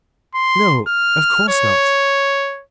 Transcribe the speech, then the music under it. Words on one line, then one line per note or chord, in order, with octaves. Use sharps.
"No, of course not."
C6
F6
C#5